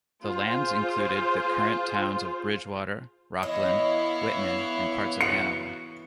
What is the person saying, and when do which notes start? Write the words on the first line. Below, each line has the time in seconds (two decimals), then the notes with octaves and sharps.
The lands included the current towns of Bridgewater, Rockland, Whitman, and parts of Hanover.
0.24 F4 G#4 C5
3.43 E3 B3 E4 C#5 D#5 F5
5.21 F#4 C#7